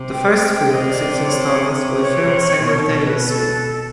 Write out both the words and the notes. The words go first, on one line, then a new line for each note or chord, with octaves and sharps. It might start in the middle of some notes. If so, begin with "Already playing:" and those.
The first three of the six installments were filmed simultaneously.
Already playing: C3
G5
G5
G5
C3 D#5
D5
D5
C#5
C#5
C#5
C3
B2
C5
B4
A4
A4